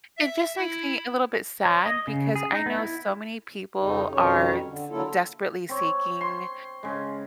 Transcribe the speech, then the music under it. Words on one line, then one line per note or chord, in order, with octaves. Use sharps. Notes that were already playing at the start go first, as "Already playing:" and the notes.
It just makes me a little bit sad because I know so many people are t desperately seeking
E5
E4
C#5
D#5
C#3
G#4
D#4
B3
E4
F2 C#3 G3 D#4
F2 B2 D#3 G3 C#4 C#5
D3
D3 F#3 A#3 E4 F4 A4
C4 C#5
C6
C#3 G#3